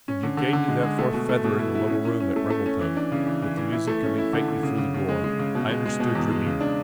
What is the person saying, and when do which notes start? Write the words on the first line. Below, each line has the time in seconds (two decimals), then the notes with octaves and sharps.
When you gave me that fourth feather in the little room at Ramelton, with the music coming faintly through the door, I understood your meaning.
0.08 C#4
0.23 D3
0.37 D3
0.53 D3
0.68 G#3
0.83 G#3
0.99 A3
1.14 B2
1.29 A3
1.44 B2
1.59 E4
1.75 E4
1.90 C#4
2.05 C#4
2.20 C#4
2.36 A3
2.50 A3
2.66 C#4
2.81 E3
2.97 D4
3.12 C#3
3.27 E3
3.42 E3
3.57 E3
3.72 E4
3.87 A3
4.03 C#4
4.18 E4
4.33 D3
4.48 D3
4.63 C#3
4.78 C#3
4.94 C#3
5.09 G#3
5.24 G#3
5.39 C#3
5.55 B2
5.70 G#3
5.86 G#3
6.00 B2
6.15 E2
6.31 G#3
6.46 C#3
6.61 D4